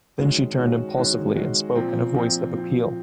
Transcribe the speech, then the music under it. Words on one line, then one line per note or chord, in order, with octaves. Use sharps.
Then she turned impulsively and spoke in a voice of appeal.
D#3 G#3 C#4 F#4
D#3 G#3 C#4 F#4
D#3 G#3 C#4 F#4
D#3 G#3 C#4 F#4
A#2 F3 C4
A#2 F3 C4
A#2 F3 C4